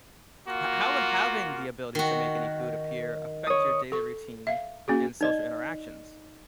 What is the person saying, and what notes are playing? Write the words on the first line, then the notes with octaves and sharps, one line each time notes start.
h how would having the ability to make any food appear affect your daily routine and social interactions?
A#3 F4 F#4
D#3 F#4
C#5 D#6
A4 C#6
E5 F5
A#3 C#4 F#4 G#4
D#4 D5 D#5